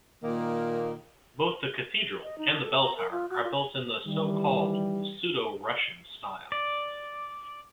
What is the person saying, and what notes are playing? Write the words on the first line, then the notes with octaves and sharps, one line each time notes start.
Both the cathedral and the belltower are built in the so-called pseudo-Russian style.
A#2 D#3 A#3
D#5
D#4
D4
A4
A#5
A#4
F4
F#4
F4
G#5
D#3 E3 G3
D5